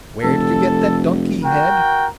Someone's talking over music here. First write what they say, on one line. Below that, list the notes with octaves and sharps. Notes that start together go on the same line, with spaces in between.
Where did you get that donkey head?
F1 A4
F#4 A#4 G5